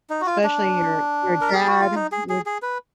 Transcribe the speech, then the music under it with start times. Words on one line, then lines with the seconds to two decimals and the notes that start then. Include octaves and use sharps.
especially your your dad, your
0.10 D#4
0.21 F#4
0.26 F4
0.44 D4
1.41 A#4
1.54 G#4
1.68 F#4
1.81 F4
1.95 D#4
2.12 G#4
2.29 G#4
2.46 G#4
2.62 B4